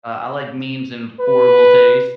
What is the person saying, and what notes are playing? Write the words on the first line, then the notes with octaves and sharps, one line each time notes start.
Uh, I like memes in horrible taste.
B4